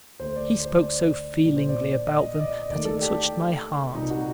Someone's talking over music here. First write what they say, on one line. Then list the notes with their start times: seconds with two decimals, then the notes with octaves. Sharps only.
He spoke so feelingly about them that it touched my heart.
0.20 D2 D3 A3 C5
0.36 D5
0.52 C5
0.58 D5
0.66 C5
0.83 D5
1.45 A#1 A#2 G3 D5
1.56 C5
1.69 D5
2.07 D#5
2.34 D#5
2.39 D5
2.70 D#2 D#3 A3 D5
2.85 A4
3.01 G4
3.94 C2 A#2 G3 D#4
4.10 F#4